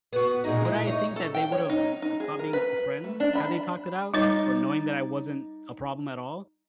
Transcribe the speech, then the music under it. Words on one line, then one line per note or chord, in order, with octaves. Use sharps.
would I think that they would've l l stopped being friends had they talked it out, or knowing that I wasn't a problem at all?
B3 F#4
A#2 G#3 D#4
G#3 E4
D#4 C#5
A4
G5
C#5
D#4
D#4
G#4
A#4
B4
A3
D4
B5
G3 D#4 C#5